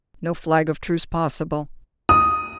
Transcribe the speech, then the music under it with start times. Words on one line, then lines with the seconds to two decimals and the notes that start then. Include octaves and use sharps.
No flag of truce possible.
2.09 D#6